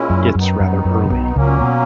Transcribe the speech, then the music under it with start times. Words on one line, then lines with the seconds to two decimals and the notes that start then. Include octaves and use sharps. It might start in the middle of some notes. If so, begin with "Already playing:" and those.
It’s rather early.
Already playing: A#2 G#3 C#4 E4
0.10 F#2
0.35 F#2 D#3 F#3 B3 D#4
0.60 F#2
0.85 F#2
1.05 C#3
1.10 B1 B2
1.36 C#2 A#2 C#3 F#3 A#3 C#4
1.61 B2